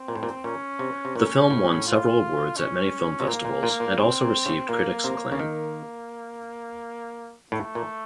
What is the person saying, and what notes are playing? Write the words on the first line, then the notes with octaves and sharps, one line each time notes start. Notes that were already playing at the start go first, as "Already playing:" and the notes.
The film won several awards at many film festivals and also received critics acclaim.
Already playing: C4
A#2
A2
A#2
A#2 C#4
C3
C3
A#2 C#4
A2
A2
F4
C#4
C3
A#2 A#3
A#2
A#2
A#2
A2 C4
A#2
C#3
A#2 A#3
C3
C#3
D#3 A#3
A2 A3
A#2